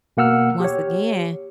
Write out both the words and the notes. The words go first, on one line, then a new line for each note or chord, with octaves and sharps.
once again
B2 A#3 F#5 E6 F6
G4 C#5